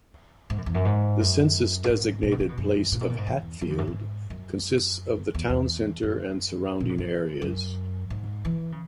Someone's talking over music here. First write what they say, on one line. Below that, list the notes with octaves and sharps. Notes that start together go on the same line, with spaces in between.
The census-designated place of Hatfield consists of the town center and surrounding areas.
G#2
F#2
E2
F#2
G#2
F#2
A#2
G#2
A#2
B2
C#3
B2
F#2
A#2
B2
A#2
G#2
E2
F#2
E2
F#2
G#2
F#2
E2
E2
F#2
A#2
G#2
F#2
F#2
G#2
E3
C#3